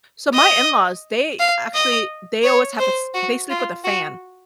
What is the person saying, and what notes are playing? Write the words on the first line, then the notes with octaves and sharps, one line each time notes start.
So, my in-laws, they actually they always have a s they sleep with a fan.
D#5
F5
D#5
C#5
C5
F#4
F4
F#4